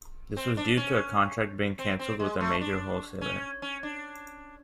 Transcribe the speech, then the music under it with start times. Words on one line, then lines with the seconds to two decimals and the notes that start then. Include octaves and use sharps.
This was due to a contract being cancelled with a major wholesaler.
0.37 C4
0.57 D4
0.77 C#4
1.79 C4
1.99 C4
2.20 G#3
2.40 A3
2.61 D4
3.21 C#4
3.62 C#4
3.83 D4